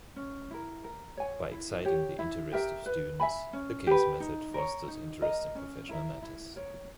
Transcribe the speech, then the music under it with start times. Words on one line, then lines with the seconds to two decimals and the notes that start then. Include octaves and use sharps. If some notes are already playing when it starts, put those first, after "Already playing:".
By exciting the interest of students, the case method fosters interest in professional matters.
0.16 C#4
0.51 E4 A#4
0.84 A#4
1.17 C#5 G#5
1.52 E4
1.85 G4 C#5
2.19 E4
2.52 G4 A#4 E5
2.86 B4
3.20 E5 G#5 B5
3.53 C#4
3.87 G4 B4
4.20 D#4
4.54 A#4 C#5
4.88 D#4
5.22 A#4 D#5
5.55 C#4
5.89 E4 A#4 E5
6.22 E4
6.56 A#4 C#5